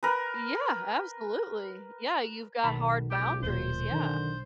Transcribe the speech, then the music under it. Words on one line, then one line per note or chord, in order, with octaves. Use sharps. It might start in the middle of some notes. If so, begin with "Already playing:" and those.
Yeah, absolutely yeah, you've got hard boundaries, yeah.
A#4 B4
B1 D#3 A5 B5
C#2 G4
D#1 A#2 C5
D3 D#3